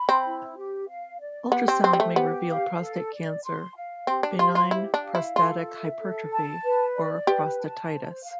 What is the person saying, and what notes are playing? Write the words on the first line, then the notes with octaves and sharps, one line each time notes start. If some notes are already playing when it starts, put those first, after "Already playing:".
Ultrasound may reveal prostate cancer, benign prostatic hypertrophy, or prostatitis.
Already playing: B5
C4
E4
G4
F5
D5
B3 G4
C4
C4 C5
G3
A3
B3 G4
F5
A4
D5
C6
F5
C4 G4
D4
F4 C5
F4
E4 G4
D4
F5
E4
F4 A4
E5
A4
A5
B4
D5
G4 B4
A5
C5
F5